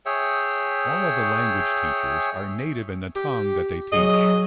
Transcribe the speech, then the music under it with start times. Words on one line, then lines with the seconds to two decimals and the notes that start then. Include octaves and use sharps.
All of the language teachers are native in the tongue that they teach.
0.06 G#4 C#5 E5 G5
3.15 G4
3.92 F#3 G#4 D#5